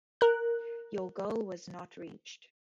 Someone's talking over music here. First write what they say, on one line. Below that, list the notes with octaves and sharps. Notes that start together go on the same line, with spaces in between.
Your goal was not reached.
A#4 F#6